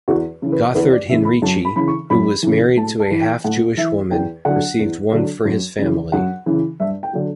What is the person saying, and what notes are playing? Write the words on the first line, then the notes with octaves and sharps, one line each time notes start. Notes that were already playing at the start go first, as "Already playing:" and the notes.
Gotthard Heinrici, who was married to a half-Jewish woman, received one for his family.
E2 F#4
C#3 E3
B4
E2 B4
D5
C#3 E3 E5
B5
F#2 A5
B5
C#3 E3 B5
C#6
F#2 B5
C#3 E3
A2 A5
A5
E3
G5
A2 F#5
E3 E5
E2 G5
D3 F#3 F#5
E2
D3 F#3
F#2
C#3 E3
F#2 F#5
C#3 E3
G2 E5
G5
D3 F#3